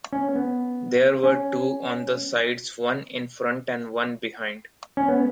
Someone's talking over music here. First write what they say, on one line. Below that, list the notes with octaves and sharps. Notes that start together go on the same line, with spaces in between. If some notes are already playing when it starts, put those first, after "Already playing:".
There were two on the sides, one in front and one behind.
C#4
B3
C#4
C#4
B3